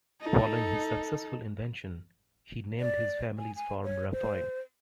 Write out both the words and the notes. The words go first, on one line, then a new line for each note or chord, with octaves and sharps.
Following his successful invention, he named his family's farm Raphine.
D#4 A4
D5
G#5
G#5
C#5
C5